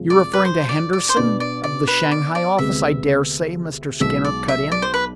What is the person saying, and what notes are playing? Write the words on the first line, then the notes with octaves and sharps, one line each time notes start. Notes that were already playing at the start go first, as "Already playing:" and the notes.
"You're referring to Henderson, of the Shanghai office, I dare say," Mr. Skinner cut in.
Already playing: F2 C3 F3 G#3
D5
B4
C5
D5
D5
C5
B2 B3 D4 D5
D5
D5
B4
D5
D5
D2 C3 G#3 B3 E5
B1 B2 G#3 E5
D5
E5
D5
C5
B4